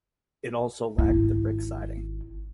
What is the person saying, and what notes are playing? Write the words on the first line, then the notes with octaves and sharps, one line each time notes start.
It also lacked the brick siding.
G#1 E4